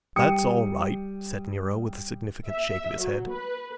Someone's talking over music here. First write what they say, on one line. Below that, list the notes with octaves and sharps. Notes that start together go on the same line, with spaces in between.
"That's all right," said Nero, with a significant shake of his head.
G3 G5 D#6 C#7
E5
F#3
B4